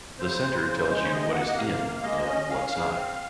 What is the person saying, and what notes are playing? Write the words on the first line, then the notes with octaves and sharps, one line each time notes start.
The center tells you what is 'in' and what's not.
C#3 C5
C#3
C#3
G#3
C#5
C3 D#5
A#3 F#5
D#5
C3 F5
A#3
G#3 D#5
C#4
C#4 F5
C#3
C4